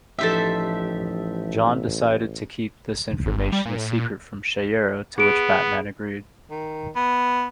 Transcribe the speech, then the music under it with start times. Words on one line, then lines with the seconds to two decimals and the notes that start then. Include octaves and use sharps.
John decided to keep this information a secret from Shayera to which Batman agreed.
0.19 A1 F3 D#4 G4 A4 C5 E5
3.26 G#1
3.38 G1
3.53 G3
3.66 A#2
3.78 A2
3.91 A#2
5.18 B3 G#4 D7
6.50 D#3
6.96 B3